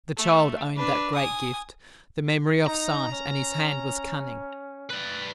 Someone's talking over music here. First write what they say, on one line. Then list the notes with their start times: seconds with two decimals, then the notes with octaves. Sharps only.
The child owned that great gift, the memory of sight, and his hand was cunning.
0.17 A3
0.77 D4 B4
1.14 G#5 D#6
2.66 D#4 A#5
3.12 C#4
4.90 B4 D5